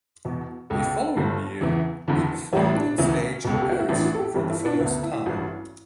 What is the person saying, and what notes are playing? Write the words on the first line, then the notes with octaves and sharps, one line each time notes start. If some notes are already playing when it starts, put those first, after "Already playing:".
The following year, he performed on stage in Paris for the first time.
E2 B2
C#2 B2 A4
G1 G2 D3
E2 C#3 E3
F#1 E2 D3
A1 A2 E3 G4
D4
D2 C#3 E3 C#4
C#2 B2
A4
G4
F#4
E4
A1 A2 E3 D4
F#4
A4
G4
G1 G2 E3 G4
E4
D4
C#4
D2 D3 B3
E4
A1 G2 E3 F#4